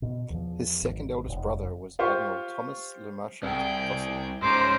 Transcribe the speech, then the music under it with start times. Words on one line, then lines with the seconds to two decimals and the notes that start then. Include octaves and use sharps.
His second eldest brother was Admiral Thomas Le Marchant Gosselin.
0.02 B2
0.30 E2 F3
0.82 G#1
1.29 F1
1.99 F4 G4 C5 C#6
3.43 C2 G#4 G5
4.42 G#2 C#4 C5 A#5 D6